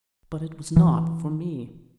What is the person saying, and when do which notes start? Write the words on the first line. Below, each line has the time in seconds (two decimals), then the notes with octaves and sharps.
But it was not for me.
0.76 E3